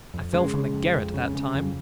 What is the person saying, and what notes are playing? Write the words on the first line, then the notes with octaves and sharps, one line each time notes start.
I fell from the garret that time.
F2
C#3 G#3
C#3
F2
F2
C#3
C#3
F2